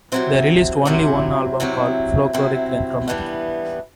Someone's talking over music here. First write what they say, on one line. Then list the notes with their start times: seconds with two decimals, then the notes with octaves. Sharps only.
They released only one album called "Folkloric Necro Metal".
0.12 C3 F#3 C4 E4
0.85 C3 F#3 C4 E4
1.60 C3 F#3 C4 E4
2.33 C3 F#3 C4 E4
3.08 G2 E3 G3 B3